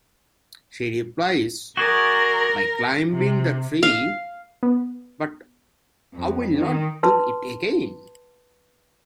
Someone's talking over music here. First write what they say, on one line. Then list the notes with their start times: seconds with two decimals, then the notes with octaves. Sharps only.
She replies, "By climbing the tree, but I'll not do it again".
1.77 F#4 G#4 A#4 D5
3.13 C3
3.83 F5
4.63 B3
6.13 F2
6.58 D#3
7.03 B4 A5 C6